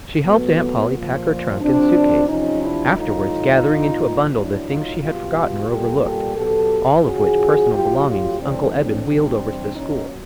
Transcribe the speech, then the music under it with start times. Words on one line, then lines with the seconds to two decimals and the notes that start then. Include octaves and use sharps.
She helped Aunt Polly pack her trunk and suit case, afterwards gathering into a bundle the things she had forgotten or overlooked, all of which personal belongings Uncle Eben wheeled over to the school.
0.25 B2 F#3 A3 B3
0.92 A#2 F3
1.60 C3 F3 C4 D4
2.28 C3 F3 C#4 D#4
2.62 D4 E4
2.96 A2 E3 G3 D#4 F4
3.64 A#2 F3
4.32 A2 F#3 D4 E4
4.66 D#4 F4
4.99 B2 G3 F4 G4
5.68 A#2 G3 G4 A4
6.01 G4 A4
6.36 B2 F#3 G4 A4
7.04 C#3 F3 F#4 G#4
7.71 A2 F#3 F4 G4
8.06 F4 G4
8.39 A2 E3 G3 C4 D4
8.74 C4 D4
9.07 C3 E3 G3 C4 D4
9.75 A#2 F#3 C#4 D#4